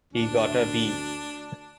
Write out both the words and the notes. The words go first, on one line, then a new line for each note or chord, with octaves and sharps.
He got a B.
D2 D4